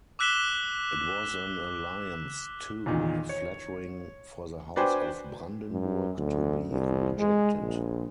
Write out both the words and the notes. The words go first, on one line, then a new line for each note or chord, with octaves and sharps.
It was an alliance too flattering for the House of Brandenburg to be rejected.
D6 E6 F#6 B6 E7 G7
E2 A#2 D#3
C#5
D4 F#4 B4 C5 G5 G#5
F#2
D2
C2
G#3
A#1